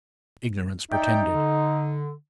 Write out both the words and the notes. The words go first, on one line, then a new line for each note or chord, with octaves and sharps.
Ignorance pretended.
D#4 D5 E5 G5
D3